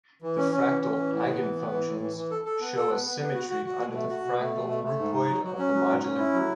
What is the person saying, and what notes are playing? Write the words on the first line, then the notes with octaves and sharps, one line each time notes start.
The fractal eigenfunctions show a symmetry under the fractal groupoid of the modular group.
E3
C#4
C#4
E3
C#4
E3
A2
B3
E3
B3
E3
A2
E3
E3
A4
A4
B3
A4
B3
B3
B3
F#4
F#4
F#4
B2
A3
F#4
B2
A3
B2
A3
A3
G#2
D#4
F#3
F#3
C#4
F#3
G#2
C#4
E4
F#3